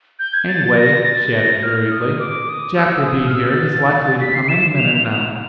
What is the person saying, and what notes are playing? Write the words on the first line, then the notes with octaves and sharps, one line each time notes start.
"Anyway," she added hurriedly, "Jack will be here; he's likely to come any minute now."
G6
G#6
A6
A#6
A6
A#6
F6
D#6
D6
D#6
E6
D#6
F6
E6
A6
B6
C7
E7
F7